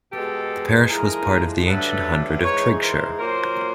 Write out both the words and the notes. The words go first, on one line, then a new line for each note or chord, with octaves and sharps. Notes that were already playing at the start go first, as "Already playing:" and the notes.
The parish was part of the ancient hundred of Triggshire.
B2 G#3 G4 A4
A2 F3 G#3 G#4 A#4
G2 D3 F#3 A3 A4 B4
G#2 E3 G#3 B4 C#5
A#4 C5
A#2 F#3 A#3 A#4 C5